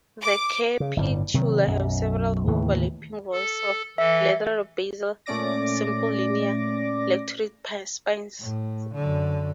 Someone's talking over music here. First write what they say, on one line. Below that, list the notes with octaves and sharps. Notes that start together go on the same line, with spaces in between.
The capitula have several overlapping rows of leathery basal simple linear-lanceolate spines.
D6
C#3
G1 A2 G3
C3 D#3 F#3
B1 F#2
D#2 A2 C#3 E3
A4
E3 A4 E5
A#2 A3 C#4 D5 D6 A#6
A2
F#2 D3